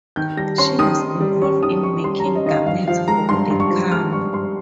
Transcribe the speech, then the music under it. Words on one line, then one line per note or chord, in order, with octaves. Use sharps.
She was involved in making garments for the kami.
D#3 G6
G3 A#6
C#4 C6
D#3 D#6
D#3
G3
C#4 C#6
D#3 D#6
D#3 C#6
G3 C6
A#5
C#4
D#5
D#3 D#5 F5
G2 F5
F3 F5
G#3 A#5
G2 C6
G2
C#6
F3
G#3 F6
G2 C#6
G2 C6